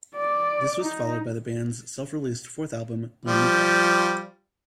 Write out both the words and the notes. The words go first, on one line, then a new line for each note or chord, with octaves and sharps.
This was followed by the band's self-released fourth album, "Winnemucca".
D5
D#4
F3 G3